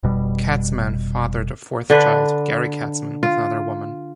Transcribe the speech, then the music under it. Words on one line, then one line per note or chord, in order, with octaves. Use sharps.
Katzman fathered a fourth child, Gary Katzman, with another woman.
F1 B2 G3
D3 D4 B4
F4